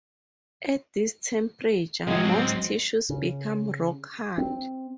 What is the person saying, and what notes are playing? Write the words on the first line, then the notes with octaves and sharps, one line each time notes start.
At this temperature, most tissues become rock-hard.
C3 G#3 C#4 F#4 D#5
F#3 C4
C#3
C4